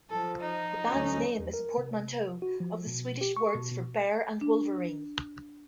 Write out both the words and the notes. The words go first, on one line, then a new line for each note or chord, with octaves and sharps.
The band's name is a portmanteau of the Swedish words for bear and wolverine.
F3 A4
D#4
D2 F#3 C#4
E2
A#4
C3
F#4
F3
B2
G4
C#6
B2
B2
D4